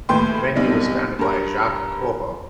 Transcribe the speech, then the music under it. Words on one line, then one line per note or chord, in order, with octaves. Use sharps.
The venue was founded by Jacques Corbo.
D#2 A2 B4 G5 C6
B1 C3 G3
G2 A#4